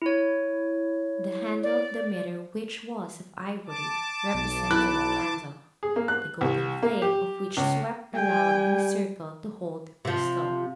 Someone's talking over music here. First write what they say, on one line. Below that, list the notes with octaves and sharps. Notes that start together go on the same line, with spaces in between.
The handle of the mirror, which was of ivory, represented the candle, the golden flame of which swept round in a circle to hold the crystal.
E4 C#5
D5
A5 D6
B1
E4 F#6
G#4
A#3
F#6
C2
A#3
G4
C#2
G3 G5 G#5
C3 F3